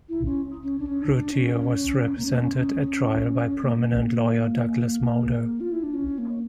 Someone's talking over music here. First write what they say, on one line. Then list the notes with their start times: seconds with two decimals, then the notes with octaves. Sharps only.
Routier was represented at trial by prominent lawyer Douglas Mulder.
0.09 E4
0.25 C#4
0.63 C#4
0.79 D4
0.86 C#4
1.02 D4
1.17 D4
1.33 C#4
2.18 A#3
2.25 C#4
2.33 A#3
2.40 C#4
2.56 C#4
3.63 A#3
5.03 A#3
5.60 F4
5.72 E4
5.83 D4
5.94 C#4
6.18 A#3